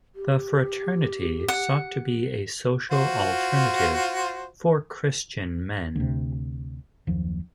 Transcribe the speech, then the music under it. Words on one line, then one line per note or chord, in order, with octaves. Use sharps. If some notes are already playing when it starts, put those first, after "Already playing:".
The fraternity sought to be a social alternative for Christian men.
G4
F#5
F4 F#4 C5
D2 C3
F#1 D#2 F3